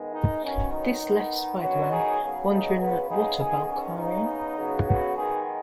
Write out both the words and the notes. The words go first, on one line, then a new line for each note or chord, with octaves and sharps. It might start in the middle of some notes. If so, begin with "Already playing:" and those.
This left Spider-Man wondering What about Carrion?
Already playing: D#3 G#3 B3
D#4
D#3 F#3 B3 C#4
D#4
D#3 B3
D#3 F#3 B3 C#4 F#4
D#4 G#4
C#3 F#3 B3
D#4 G#4
C#3 G#3 B3 F#4 B4
D#4 G#4
D#3 B3 D#4 G#4
C#4
C#3 B3 D#4
C#3 F#3 B3
F#4 B4
D#3 G#3 B3 D#4 G#4